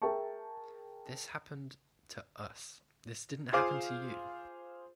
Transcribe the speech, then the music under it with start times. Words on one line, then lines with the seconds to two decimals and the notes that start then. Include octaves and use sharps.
This happened to us, this didn't happen to you.
0.02 G#4 A#4 E5 G5 A5 C#6
3.53 F4 G#4 C5 F5 D6